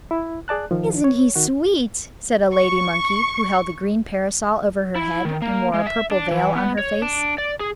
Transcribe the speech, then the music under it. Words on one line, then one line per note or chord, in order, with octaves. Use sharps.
"Isn't he sweet!" said a lady-monkey who held a green parasol over her head and wore a purple veil on her face.
E4
G#4 D5 A5 F#6
D#3 F3
C#5
D#3 F#4
C#6
E4
D#3
A#3
G#3
E5
D4
E3
B3
C#5
D4
D5
G#4